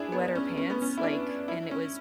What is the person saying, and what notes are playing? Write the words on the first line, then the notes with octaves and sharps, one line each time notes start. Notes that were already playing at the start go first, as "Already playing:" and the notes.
wet her pants, like, and it was
Already playing: D4 E4 G#4
B3
C#4
C#4
B3
C#4
E4
D4
E4
C#4